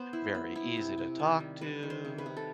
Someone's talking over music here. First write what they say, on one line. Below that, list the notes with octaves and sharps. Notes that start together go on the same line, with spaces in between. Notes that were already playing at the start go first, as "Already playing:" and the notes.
very easy to talk to,
Already playing: B3 C5
E4
B3
E4
C3
C3
D#3
G3
G3 B4
D#3
C5
C3
B4
C3
A4